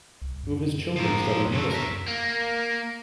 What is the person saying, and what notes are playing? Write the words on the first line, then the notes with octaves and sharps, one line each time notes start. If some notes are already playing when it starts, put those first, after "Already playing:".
Two of his children studied medicine.
C2
F#2
F3 A#4
F#2 E3 A3
A#4 E5
A#3